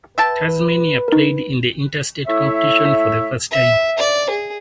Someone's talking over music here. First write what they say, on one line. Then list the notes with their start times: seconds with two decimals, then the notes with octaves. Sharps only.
Tasmania played in the interstate competition for the first time.
0.18 B4 E5 G5 A5
1.08 D#4 A#4
2.27 A3 E4 C#5 E5
3.51 E5
3.98 D5
4.29 G#4